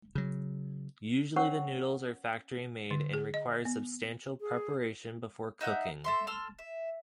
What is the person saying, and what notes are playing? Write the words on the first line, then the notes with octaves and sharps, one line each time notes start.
Usually, the noodles are factory-made, and requires substantial preparation before cooking.
C#3 F#3
C#4 A#4 C5 C#5 F#5 C#6
D3
G#4
D#5
B3
G#4
D#4 E5 F#5 G6
A4 E5 C6
A4 C6 E6 F6
E5